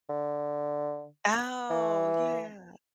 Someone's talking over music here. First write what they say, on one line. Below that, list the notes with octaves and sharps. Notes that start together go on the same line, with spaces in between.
Oh, yeah.
D3
E3